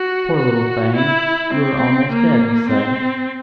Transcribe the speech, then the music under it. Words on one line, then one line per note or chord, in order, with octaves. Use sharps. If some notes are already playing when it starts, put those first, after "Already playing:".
"Poor little thing, you are almost dead," he said.
Already playing: F#4
F#4
E4
C4
A#3
C4